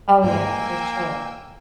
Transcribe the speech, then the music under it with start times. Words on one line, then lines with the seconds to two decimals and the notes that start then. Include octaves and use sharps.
Oh yeah, for sure.
0.24 G#2 G#3 A#3 G5 G#5 E6